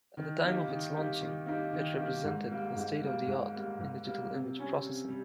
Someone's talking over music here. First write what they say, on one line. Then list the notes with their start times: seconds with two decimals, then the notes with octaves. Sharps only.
At the time of its launching, it represented the state-of-the-art in digital image processing.
0.17 D#3
0.42 A#3 D#4 G4
0.68 D#3
0.95 A#3 D#4 G4
1.21 D#3
1.46 A#3 D#4 G4
1.73 D#3
1.98 A#3 D#4 G4
2.24 G#2
2.50 G3 A#3
2.76 G#2
3.01 G3 A#3
3.27 G#2
3.53 G3 A#3
3.79 G#2
4.05 G3 A#3
4.31 C3
4.57 G3 C#4
4.83 C3
5.08 G3